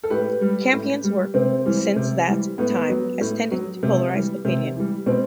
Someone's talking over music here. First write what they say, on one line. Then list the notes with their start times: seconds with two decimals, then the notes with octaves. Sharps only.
Campion's work since that time has tended to polarize opinion.
0.04 A4
0.10 A2 G4 B4
0.41 G3
0.73 A2
1.04 G3
1.34 C3 C4
1.65 E3 G3
1.96 C3
2.28 E3 G3
2.58 A2 B3
2.90 F#3
3.21 A2
3.51 F#3
3.83 C3
4.14 E3 G3
4.45 C3
4.76 E3 G3
5.06 B2 C4